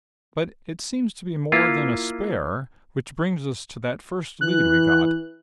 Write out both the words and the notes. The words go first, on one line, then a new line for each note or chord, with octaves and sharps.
But it seems to be more than a spare--which brings us to that first lead we got.
A#3 E4 F4
E3 F#6